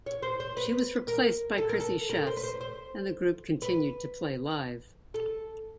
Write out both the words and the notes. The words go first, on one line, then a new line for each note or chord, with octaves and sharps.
She was replaced by Chrissy Shefts and the group continued to play live.
C#5
C5
C5
B4
A#4
A4
A#4
A4
A#4
C5
B4
C5
C5
B4
A4